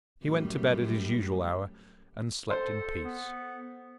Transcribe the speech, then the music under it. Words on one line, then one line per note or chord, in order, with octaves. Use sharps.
He went to bed at his usual hour, and slept in peace.
F#2 A2 G3
A4 C5
B3